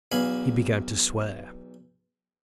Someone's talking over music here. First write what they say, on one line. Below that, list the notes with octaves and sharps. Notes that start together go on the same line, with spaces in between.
He began to swear.
B1 E2 F5 G#5 B5